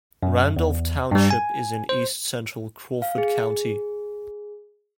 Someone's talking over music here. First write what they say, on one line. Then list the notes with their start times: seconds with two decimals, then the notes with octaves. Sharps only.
Randolph Township is in east-central Crawford County.
0.23 F#2
0.57 E2
1.11 G2 G3
1.31 G#5
1.89 C5
3.02 F5
3.18 G#4